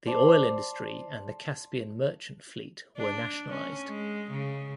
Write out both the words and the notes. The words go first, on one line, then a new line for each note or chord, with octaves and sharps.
The oil industry and the Caspian Merchant Fleet were nationalized.
C5 D5 A5 C6
D4
C#4
G#3
C#3